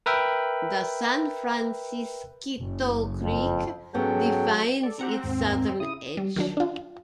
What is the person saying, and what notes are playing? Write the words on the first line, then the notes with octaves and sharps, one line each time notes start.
The San Francisquito Creek defines its southern edge.
A#4 B4 E5 G5
F#1
F2
G#2 F#3 B3 C#4 G#4 A4 G5
A4 D5
C4 G4 F#5 A#5
D#2 G#2
F2 A#3 A#5
C#3 E4 D#6
G3
D#3 F#3 D4
D4 F4